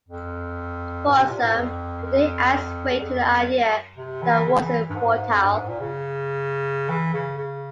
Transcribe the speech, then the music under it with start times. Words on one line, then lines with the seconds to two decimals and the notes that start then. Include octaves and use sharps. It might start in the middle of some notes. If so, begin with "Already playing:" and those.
For some, the day adds weight to the idea that war is futile.
0.09 F2
1.06 G#2
1.19 C3
1.31 A#2
1.42 G#2
1.55 F2
2.03 F2
2.90 E2
3.01 F2
3.98 C3
4.23 E3
4.47 C#3
4.63 E3
4.90 G2
4.95 G#2
5.33 F2
5.45 G2
5.56 G#2
5.68 A#2
5.80 C#3
6.89 E3
7.14 C#3
7.38 C#3